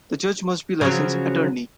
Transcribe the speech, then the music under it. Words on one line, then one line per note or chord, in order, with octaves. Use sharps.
The Judge must be a licensed attorney.
C#3 F3 F#3